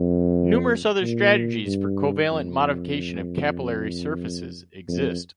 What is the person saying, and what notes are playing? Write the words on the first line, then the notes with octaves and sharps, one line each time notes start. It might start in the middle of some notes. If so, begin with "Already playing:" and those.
Numerous other strategies for covalent modification of capillary surfaces exist.
Already playing: F2
A#2
G2
F2
F2